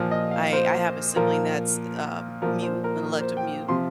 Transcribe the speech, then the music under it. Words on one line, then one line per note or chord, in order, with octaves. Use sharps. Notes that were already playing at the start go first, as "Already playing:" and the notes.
I I have a sibling that's, um, mute, an elective mute.
Already playing: A#2 F3
D#5
F5
C5
A#2 F3 A#4
A#2 F3 A#4
C5
A#4
A#4
C5
G5
C3 F3 C6